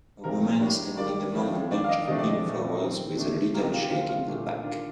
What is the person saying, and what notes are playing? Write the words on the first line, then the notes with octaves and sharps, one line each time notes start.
A woman standing among a bunch of pink flowers, with a little shack in the back.
C3 F3 C4 A#4
A2 G3 D4
D#3 G3 A#3 D5
A2 F3 A3 C4
D#3 A#3 D4 D5
F5
D#5
C3 F3 A3 D4 D#5
D5
D#5
A#2 F3 A3
D#3 G3 C4
D3 A3 D4
C3 D#3 G3 A#3 A#4
D#4
F4
G4
D3 G3 C4 F4
F4
A#2 A3 D4
D#3 A#3 D4 F4